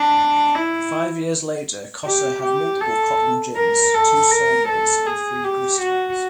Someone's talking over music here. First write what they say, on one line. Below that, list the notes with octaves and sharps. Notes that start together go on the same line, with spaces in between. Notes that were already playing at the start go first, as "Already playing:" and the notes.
Five years later, Kosse had multiple cotton gins, two sawmills, and three gristmills.
Already playing: D4
E4
G4
G4
A4
A#4
A4
A#4
A4
G#4
G4
F#4